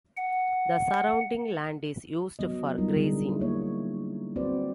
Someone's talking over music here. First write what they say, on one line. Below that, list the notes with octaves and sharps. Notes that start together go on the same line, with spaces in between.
The surrounding land is used for grazing.
F#5
F#3 B3 D#5
F#3 G3 D#4 F4 A#4
D3 G#4
E4
A#3 C#5
C4 F#4 B4 C5 D5